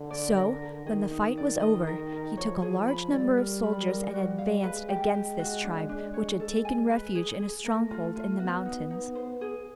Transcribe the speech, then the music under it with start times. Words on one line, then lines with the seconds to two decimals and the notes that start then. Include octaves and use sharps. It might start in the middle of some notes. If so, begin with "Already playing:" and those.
So, when the fight was over, he took a large number of soldiers and advanced against this tribe which had taken refuge in a stronghold in the mountains.
Already playing: D3
0.11 D5
0.37 A#4
0.62 A#4
0.86 D#3 G#4
1.11 D#4
1.37 D5
1.62 D#5
1.87 A#4
2.12 A#4
2.37 F3 C#5
2.62 G#4
2.88 B5
3.12 G3 D5
3.38 A#4
3.63 B5
3.88 A#4
4.14 F#4
4.38 F5
4.63 G#3 B4
4.88 G4
5.14 G4
5.39 F#4
5.64 D4
5.89 D4
6.14 C#5
6.40 A4
6.65 G#5
6.90 B4
7.15 G#4
7.39 G#4
7.65 A3 A#4
7.91 F4
8.16 F4
8.40 B3 F#4
8.66 D#4
8.90 D#4
9.15 C5
9.41 G#4